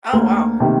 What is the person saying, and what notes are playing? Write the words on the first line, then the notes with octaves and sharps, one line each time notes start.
Oh, wow.
D2 A#3
C3 D#3